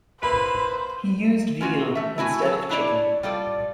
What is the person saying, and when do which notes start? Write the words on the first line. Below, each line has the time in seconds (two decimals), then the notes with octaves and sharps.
He used veal instead of chicken.
0.23 A#3 E4 B4 C5 B5
1.61 C#4 F4 F#4
1.95 A3 E5
2.18 A3 E4 F#4 G#5
2.42 F#3 A4
2.69 D4 E4 C#5 D5
3.23 G3 F4 A4 D5